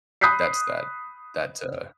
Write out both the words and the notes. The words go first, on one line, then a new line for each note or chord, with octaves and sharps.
that's that that's uh
B5 D#6 F#6 G6 B6 C7